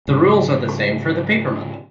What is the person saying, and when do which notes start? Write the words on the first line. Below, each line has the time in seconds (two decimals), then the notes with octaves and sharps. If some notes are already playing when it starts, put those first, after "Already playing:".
The rules are the same as for the paper money.
0.08 G#2 C#3 G3